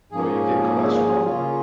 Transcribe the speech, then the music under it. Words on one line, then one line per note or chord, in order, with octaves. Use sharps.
So, you get cholesterol
G#2 F3 A#3 C#4 G#4
C#3 A#3 C#4 F4